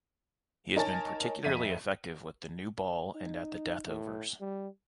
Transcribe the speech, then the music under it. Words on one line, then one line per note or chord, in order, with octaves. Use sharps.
He has been particularly effective with the new ball and at the death overs.
D#4 A#4 C#5 G#5 A5 A6
F2 E5 B6 D#7
D#4
A2
G3